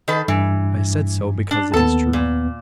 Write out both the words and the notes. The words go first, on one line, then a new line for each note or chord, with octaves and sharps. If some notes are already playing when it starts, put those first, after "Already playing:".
"I said so, because it is true."
D#3 A4 B4
G2 E3
D4
D#2 B3 A4 A5
A#2